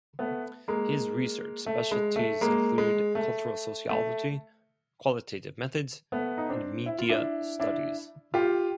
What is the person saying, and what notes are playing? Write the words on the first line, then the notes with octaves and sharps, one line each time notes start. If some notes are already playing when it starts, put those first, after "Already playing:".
His research specialties include cultural sociology, qualitative methods and media studies.
A3 B3
G#3 A#3
A3
G#3
A3
G#3 A#3
G#3
A3
A3
A3 B3
D#4
C4 D4
E4
F4
D4 E4
D4 E4
F4 G4